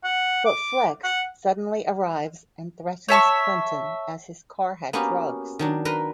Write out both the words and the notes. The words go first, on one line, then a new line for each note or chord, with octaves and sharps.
But Flex suddenly arrives and threatens Clinton as his car had drugs.
F#5
D6
F#5
C#5 E5 A5 C#6
A#3 B3 C#4 F#4 G4
D#3 F#3 D4
A#4 B4 A#5 C6